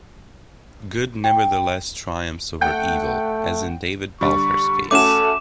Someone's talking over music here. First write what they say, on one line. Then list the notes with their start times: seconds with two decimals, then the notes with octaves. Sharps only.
Good nevertheless triumps over evil, as in David Balfour's case.
1.24 G5
2.61 A3 F#5 G5 G6
4.21 D3 G3 C#6
4.91 A3 C#4 F#4 A4 D6 E7